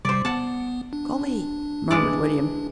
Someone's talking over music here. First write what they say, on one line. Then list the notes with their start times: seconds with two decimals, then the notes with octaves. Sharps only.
"Golly!" murmured William.
0.05 C3 G3 C5 D5
0.25 B3 F#5 A5
0.93 D4
1.91 E3 G#3 D5